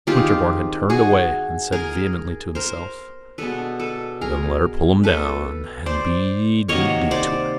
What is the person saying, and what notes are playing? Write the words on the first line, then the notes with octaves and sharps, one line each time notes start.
Winterborne had turned away, and said vehemently to himself, "Then let her pull 'em down, and be d--d to her!"
D#3 G#3 C4 D#4 F4 G4
F#4 G#4
G#4 A#4
A#4 C5
B2 G#3 B3 D4 A4 B4
A4 B4
G#4 A#4
A4 B4
C5 D5
C3 D#3 F#3 A#3 C#5 D#5
C5 D5